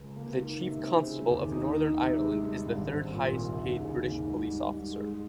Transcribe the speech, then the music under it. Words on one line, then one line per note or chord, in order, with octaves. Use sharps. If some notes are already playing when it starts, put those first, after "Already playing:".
The Chief Constable of Northern Ireland is the third-highest paid British police officer.
Already playing: C#2
A#3
D#3
C3
C4
C#3
D#2
D#4
D#3
C3
G#3
G2
G#1
C4
A#2
C2
D#2
C#3
D#2
G#2
G3
G#2
G#3